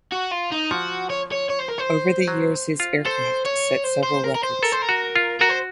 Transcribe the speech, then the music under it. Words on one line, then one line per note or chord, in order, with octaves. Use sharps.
Over the years, his aircraft set several records.
F#4
F4
D#4
F3 F#4
C#5
C#5
C#5
C5
A#4
C5
F#3
F4
A4 C5
C#5
C5
C5
A#4
A#4
C5
A4 A#4
C5
A#4
F#4
F4
F#4 A#4
C5